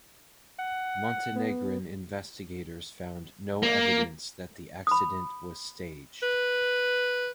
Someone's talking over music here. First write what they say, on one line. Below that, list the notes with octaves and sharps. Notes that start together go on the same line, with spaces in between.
Montenegrin investigators found 'no evidence that the accident was staged'.
F#5
B3
A#3
B5 D#6
B4